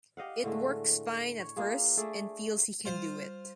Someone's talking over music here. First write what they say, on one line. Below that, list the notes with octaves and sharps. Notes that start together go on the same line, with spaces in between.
It works fine at first, and feels he can do it.
G4 D#5 F5 F#5
A2 D3 G#3 A3
C#5
A#3 D4 F4 G#4
A3 G#4 D5 E5
G3 F4 C5